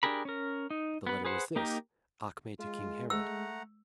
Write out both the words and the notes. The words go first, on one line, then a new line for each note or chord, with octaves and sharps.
The letter was this: 'Acme to king Herod.
D4 G4 G#4 A#4 B5
C#4 A#4
D#4
B3 B4
G#4 B4 C5 F#5
A#3 D#4 G4 A#4
G#3 F4
A3 F#5 A#5 E6